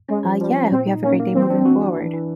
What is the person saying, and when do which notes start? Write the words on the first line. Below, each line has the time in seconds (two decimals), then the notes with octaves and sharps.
uh, yeah, I hope you have a great day moving forward.
0.09 G#3 C#4
0.24 F3
0.41 F3 G3
0.57 C#4
0.72 A#2 C4
0.87 D#4
1.03 A#3 C#4
1.20 A#3
1.34 E3 C4
1.50 D4
1.65 F#4
1.81 D4
1.97 E3
2.13 E3